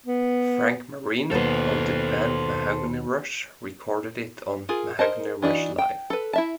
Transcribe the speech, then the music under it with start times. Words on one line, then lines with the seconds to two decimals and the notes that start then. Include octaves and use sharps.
Frank Marino, of the band Mahogany Rush, recorded it on "Mahogany Rush Live".
0.06 B3
1.31 D#2 B2 A4 B4 C5
4.69 F4 G#4 A#4
4.99 A#4 C5 D#5 A5
5.42 E3 D4 D#4 F#4
5.78 G5
6.10 A4 B4
6.33 E4 E5 A5